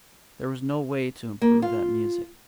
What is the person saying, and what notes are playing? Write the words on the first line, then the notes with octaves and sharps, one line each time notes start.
There was no way to improve that music.
A#3
F4